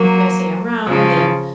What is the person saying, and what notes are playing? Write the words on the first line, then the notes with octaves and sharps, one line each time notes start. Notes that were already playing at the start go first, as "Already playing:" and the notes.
messing around and
Already playing: F#3 A#3
C#3 F3